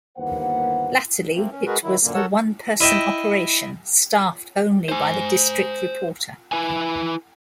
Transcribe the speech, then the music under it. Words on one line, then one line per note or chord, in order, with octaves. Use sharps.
Latterly, it was a one-person operation staffed only by the district reporter.
G1 D#2 A#3 B4 C5 F#5
A3 A#3 C4
C#4
G#3 F#4 G#4 A#4 B4
D#3 F#3 E4
F#2 A#2 D3 A#3
F#4 A4 A#4 C#5 F#5 E6
E4 D#5 E5 G5
C5 G#5
E4 B4 G#5